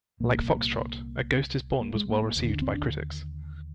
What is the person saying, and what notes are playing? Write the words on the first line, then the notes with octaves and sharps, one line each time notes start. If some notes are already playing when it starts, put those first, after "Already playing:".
Like "Foxtrot", "A Ghost Is Born" was well received by critics.
C2 A#2 A#3
A#3
G#3
A#3
A#3
D#2 D3
D4
C4
D4